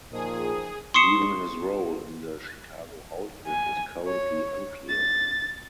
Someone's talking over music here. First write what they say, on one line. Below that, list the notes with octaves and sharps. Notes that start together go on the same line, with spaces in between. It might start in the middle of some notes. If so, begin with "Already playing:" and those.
Even his role in the Chicago Outfit is currently unclear.
A#2 D#3 F3 G#4 D#6
C6 C#6 D#6 C7 C#7 E7
G#5
C#5
A6